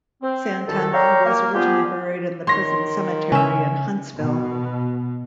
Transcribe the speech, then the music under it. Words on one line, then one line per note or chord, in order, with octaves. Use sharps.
Satanta was originally buried in the prison cemetery in Huntsville.
C4
C2 F#2 D#3 A4
C#5 D5 F5 G5 A#5 C#6
A#3
F3 G3 B3 F4 G4 G#4
D#3 C#5 C6 A#6
C#3 C#4 E5
B2